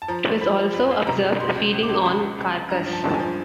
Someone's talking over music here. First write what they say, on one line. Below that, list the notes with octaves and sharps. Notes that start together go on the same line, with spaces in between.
It was also observed feeding on carcass.
A5
F3 A#5
F3
F3 B5
F3
F2 B5
F2
C3 A#5
C3
B2 C6
C#2
C#2
D6
C#2
C#2 B5
C#2
C#2
C#2
G2 A#5
F3
A5
G2
A5
G#5
F3